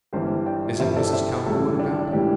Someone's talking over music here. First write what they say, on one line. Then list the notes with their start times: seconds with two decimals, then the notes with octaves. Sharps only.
"Isn't Mrs. Cowperwood about?"
0.13 G1 G2 E3 G3 G4 C5
0.46 D5 G5
0.80 G1 G2 E3 G3 C5 E5
0.96 A4 D5
1.13 C5 E5
1.46 A1 A2 E3 G3 E4 A4
1.79 D4 G4
2.12 A2 E3 G3 D4 G4